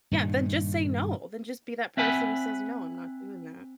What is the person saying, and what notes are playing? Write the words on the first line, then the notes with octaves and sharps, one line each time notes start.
Yeah, then just say no, then just be that person who says, "No, I'm not doing that."
G2 A#2 D#3
C4 E5 F#5 G#5 B5